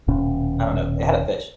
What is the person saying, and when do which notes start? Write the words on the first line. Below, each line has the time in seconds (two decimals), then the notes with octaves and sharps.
I don't know. It had a fish.
0.08 D#1 B2 C#4